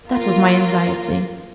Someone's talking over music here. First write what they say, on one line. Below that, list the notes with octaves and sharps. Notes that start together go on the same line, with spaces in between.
That was my anxiety.'
A#3 F4 A#4